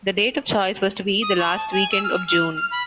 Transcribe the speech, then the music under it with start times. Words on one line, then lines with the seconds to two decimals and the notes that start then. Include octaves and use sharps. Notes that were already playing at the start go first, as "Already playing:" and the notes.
The date of choice was to be the last weekend of June.
1.22 D#6
1.38 C#6
1.56 A5
1.72 G#5
1.92 E6
2.04 F6
2.27 F6
2.57 F6
2.72 B5